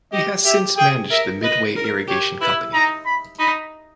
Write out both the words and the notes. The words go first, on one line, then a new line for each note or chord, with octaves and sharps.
He has since managed the Midway Irrigation Company.
G4 D#5
G4 E5
G#4 G5
A#4 E5
B4 D#5
A#4
G4 C#5
E4 B4
D#4 A#5
B5
D#4 B5